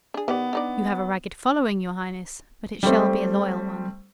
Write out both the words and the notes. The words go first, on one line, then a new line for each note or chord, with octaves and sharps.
You have a ragged following, your highness, but it shall be a loyal one.
D4 G#4
D#3 B3 G4 D5
D4 D#4 D5
G3 A3 C4